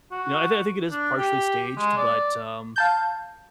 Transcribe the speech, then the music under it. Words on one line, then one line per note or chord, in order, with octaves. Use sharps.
you know, I think I think it is partially staged, but, um,
F#4
D4
G4
G#3
D5
F5 A5 G6